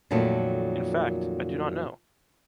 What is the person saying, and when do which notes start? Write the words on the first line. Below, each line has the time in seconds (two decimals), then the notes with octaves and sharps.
In fact ,I do not know.
0.11 F2 A#2 D#3 F#3 A3